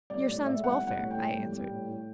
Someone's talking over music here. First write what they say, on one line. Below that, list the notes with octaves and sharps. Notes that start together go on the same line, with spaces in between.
"Your son's welfare," I answered.
G3 D5
A2 D5
A2 E5
G3 F#5
G3
F#5
A2
G5
A2
G3
G3
A2
A2